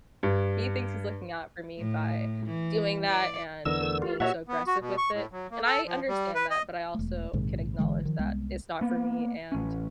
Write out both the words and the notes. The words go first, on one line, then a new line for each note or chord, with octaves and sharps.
He thinks he's looking out for me by doing that and being so aggressive with it, and I understand that, but I also can acknowledge that it's not for me, and
G2
A2
E3
D5
E2 D3 E3 A#4 B4 D5 F#5 E6
A3 A#4
F4 G4
A#2 F#4 C#5 E5 F#5
B3
F#4
B2
C#6
A2
F#3
A#3
A4
F3
G3
B4
D#5
E1 A3
A#1 G#2 C3 D#3
G#1 D3 E3 G#3
D#3 F3
C2 G#3 B3
A#3 B3
A1 C#4